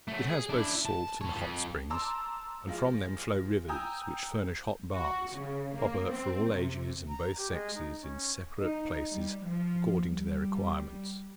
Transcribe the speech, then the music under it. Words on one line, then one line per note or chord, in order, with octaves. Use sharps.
It has both salt and hot springs, and from them flow rivers which furnish hot baths, proper for all ages and both sexes, in separate places, according to their requirements.
F#3 A3
G#4
D4 E4
A5
A4 C#5
F2
A5 A#5 C6 D6 E6
F3 G#3 F4
G5 G#5 A#5 D#6 E6 G6
F#4
C#3
A#3
C4
C3
A#5
G4
G#3
D#4
C#4
D#4
G3
F3
G3